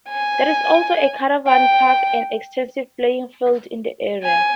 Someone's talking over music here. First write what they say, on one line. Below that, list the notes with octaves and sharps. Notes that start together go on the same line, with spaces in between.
There is also a caravan park and extensive playing fields in the area.
G#5
G5
G#5